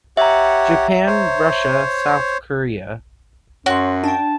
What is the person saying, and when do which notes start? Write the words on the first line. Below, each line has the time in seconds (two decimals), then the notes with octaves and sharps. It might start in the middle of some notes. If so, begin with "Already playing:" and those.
Japan, Russia, South Korea.
0.17 G4 C#5 E5 F#5 A#5
1.07 C5 C#5
3.66 F#2 F#4 C#5 C6
4.04 D4 G5 A5